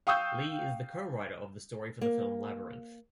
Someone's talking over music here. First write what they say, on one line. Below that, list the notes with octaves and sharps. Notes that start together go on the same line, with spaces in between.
Lee is co-writer of the story for the film "Labyrinth".
F5 G5 C#6 D#6 E6 G6
A#3